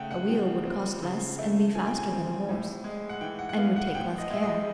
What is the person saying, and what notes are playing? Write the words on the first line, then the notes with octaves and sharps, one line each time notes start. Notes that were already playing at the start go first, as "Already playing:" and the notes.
A wheel would cost less and be faster than a horse, and would take less care.
Already playing: C#3 A3 F#5 G5
F#5
F3 G5
C4
C#3
A3
F3 G#5
G5
G#5
C4
A2
G#3
F#5
E3 G5
F#5
F#5
B3 F5
F#5
F#5
A2 G5
D#5
G#3 E5
D#5